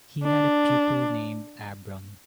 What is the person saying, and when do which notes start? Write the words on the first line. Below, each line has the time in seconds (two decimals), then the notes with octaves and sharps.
He had a pupil named Abron.
0.23 D4